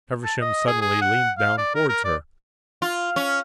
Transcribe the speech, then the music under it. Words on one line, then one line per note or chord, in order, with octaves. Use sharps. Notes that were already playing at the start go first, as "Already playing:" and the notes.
Feversham suddenly leaned down towards her.
A5
D#5
G#4
G#4
F#5
F5
D5
A#4
A#4
D5
F4
C#4